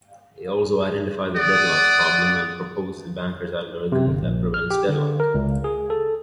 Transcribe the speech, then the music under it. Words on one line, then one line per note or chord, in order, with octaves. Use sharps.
He also identified the deadlock problem and proposed the banker's algorithm that prevents deadlock.
D5 F#5 D#6
C3
G1
A#1
F6
G4
D3
A#4
C#2
G#4
A4